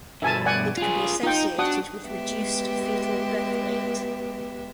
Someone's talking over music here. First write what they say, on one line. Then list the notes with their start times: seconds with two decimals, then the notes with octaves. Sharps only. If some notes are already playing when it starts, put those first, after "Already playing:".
It can be associated with reduced fetal birth weight.
0.22 G2 B2 E5 G#5 A5
0.46 D5 F#5 G#5
0.78 F4 G#4
1.23 D#4 F4 G5
1.59 D4 F#4 F#5 D#6
2.05 G#3 B3 G4 E5